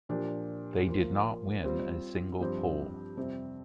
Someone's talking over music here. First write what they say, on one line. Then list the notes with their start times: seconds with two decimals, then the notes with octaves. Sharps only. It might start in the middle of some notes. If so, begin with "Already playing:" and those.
They did not win a single poll.
0.09 A#2 F3 D4 G4
0.87 F3 A#3 F4
1.63 G3 C4 F4 C5
2.40 G2 F3 C4 G4 C5
3.17 F2 C3 G3 C4